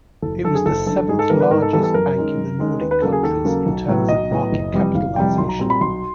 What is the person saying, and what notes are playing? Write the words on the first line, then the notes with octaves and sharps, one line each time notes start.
It was seventh largest bank in the Nordic countries in terms of market capitalization.
F#1 A4
F#2 D3 A4
G#4
F#1 A4
F#2 D3 A4
G#2 G#4
A4
E3 G3 B3 A#4
B4
G#2 A#4
A4
E3 G3 B3 A4
A4
F#2 A#4
D#3 G#3 C#4
F#2
D#3 G#3 C#4
D#2 B4
B4
C#3 F#3 A#3 A4
G#4
D#2 A4
C#3 F#3 A#3
B1
A2 F#3 B3
B1 D#5
A2 F#3 B3
F#1
F2 C3 E3 G3
F#1 F5
F2 C3 E3 G3 G5
B1 C6
A#5
A#2 G3 C4 A#5
B5
B1 C6